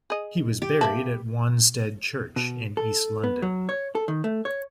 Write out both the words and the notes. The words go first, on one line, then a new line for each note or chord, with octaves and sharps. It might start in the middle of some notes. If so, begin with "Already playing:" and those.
He was buried at Wanstead Church in east London.
G#4 D#5
G4
A#3 E5 A5 B5
B2
A4
B3
F#3
C#5
A4
D#3
A3
C#5